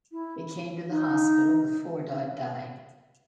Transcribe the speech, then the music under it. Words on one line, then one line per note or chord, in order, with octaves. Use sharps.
They came to the hospital before Dodd died.
E4
D#4